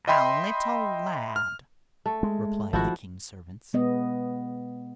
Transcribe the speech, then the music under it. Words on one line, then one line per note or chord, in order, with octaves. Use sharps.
"A little lad," replied the king's servants.
D#5 E5 G5 B5 C6
F6
A3
G#3
G#1 F3 E4 F#4
B2 G#3 B3 D#5